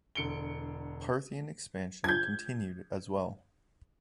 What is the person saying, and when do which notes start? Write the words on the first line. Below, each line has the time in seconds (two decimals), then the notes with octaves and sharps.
Parthian expansion continued as well.
0.15 E1 D3 C#7 D7 G7
2.04 G6 G#6